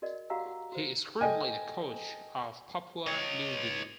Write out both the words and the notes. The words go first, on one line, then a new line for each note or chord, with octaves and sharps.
He is currently the coach of Papua New Guinea.
F#4 A#4 D5 D#5
F#4 G4 F5 F#5 A#5 E6
F#4
F#4 C5
A4 D#5 G5 G#5
C#5 D#5